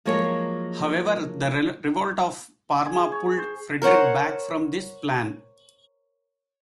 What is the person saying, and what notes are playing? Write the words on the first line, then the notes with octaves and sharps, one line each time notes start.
However, the revolt of Parma pulled Frederick back from this plan.
F3 F#3 G#3 A#3 C#5
G#4
C#5
C5
A#4 C5 C#5 F#5